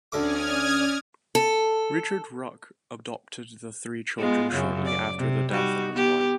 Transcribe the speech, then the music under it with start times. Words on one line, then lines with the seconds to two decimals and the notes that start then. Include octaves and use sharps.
Richard Ruck adopted the three children shortly after the death of his wife.
0.12 D2 D3 C#4 D5 D6 D#6 F6 G#6
1.35 A4
4.18 G#3 B3 F4
4.53 F#2 C#3
4.86 D5
5.18 C3
5.51 G3 D#4 F#4
5.93 B3 G4